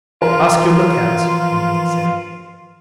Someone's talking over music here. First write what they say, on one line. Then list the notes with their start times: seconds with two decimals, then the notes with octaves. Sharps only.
"Ask your lookouts," Anita said.
0.22 E3 F3 F4 A#4